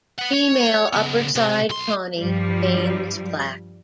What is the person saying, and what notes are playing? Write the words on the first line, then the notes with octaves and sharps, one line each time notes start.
Female upperside tawny, veins black.
B4 F#5
C#5
C#3 B3
C3
B1 C6
G2 F3 G3